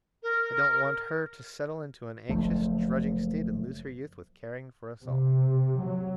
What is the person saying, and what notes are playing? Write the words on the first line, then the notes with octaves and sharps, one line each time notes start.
I don't want her to settle into an anxious, drudging state and lose her youth with caring for us all.
A#4
F#1 F3 A3
C3
F#3